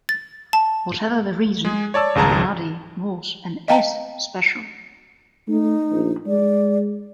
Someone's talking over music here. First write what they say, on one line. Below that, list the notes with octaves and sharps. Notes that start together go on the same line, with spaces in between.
Whatever the reason, Abinadi was and is special.
A6
A5
G#3 G#4
C#5 D5 A5 E6
G#1 C#2 G#4 A5 A#5
D#5 F5 G5 A5 A#5
A3 D#4
A#1
G#3 D5